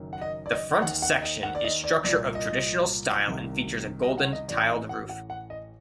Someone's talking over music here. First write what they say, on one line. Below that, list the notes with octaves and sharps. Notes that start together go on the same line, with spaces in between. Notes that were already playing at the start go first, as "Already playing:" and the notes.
The front section is structure of traditional style and features a golden tiled roof.
Already playing: F#1 F#2 D#3
F#5
D#5
D5
D#5
D#2 D#3 F#5
F#5
D#5
F#5
D5
D#5
D5
C2 A#2 D5
D#5
C2 C3 D#3
D#5
F#5
D#5
A1 A2 D5
D#5
F#5
F#5
F#5
D#5